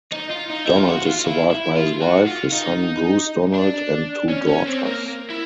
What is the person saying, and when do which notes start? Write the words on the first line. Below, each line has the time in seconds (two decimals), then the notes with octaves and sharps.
Donald is survived by his wife, his son Bruce Donald and two daughters.
0.12 D#4
0.31 F4
0.50 D#4
0.66 E4
0.76 F4
0.88 F#4
1.07 F4
1.26 E4
1.51 E4
1.76 F4
2.02 F#4
2.27 F4
2.52 D#4
3.54 D4
4.29 C#4
4.48 C#4
4.67 C4
4.86 A#3
5.30 E4